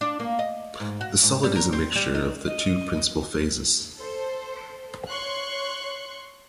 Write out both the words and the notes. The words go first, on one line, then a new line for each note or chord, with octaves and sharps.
The solid is a mixture of the two principal phases.
D4
A#3
D#5
G#2
F#4
G#2
G3
A#4
C4
G3
D#4
D#5
A4 C5
C#5 C6 C#6 F#6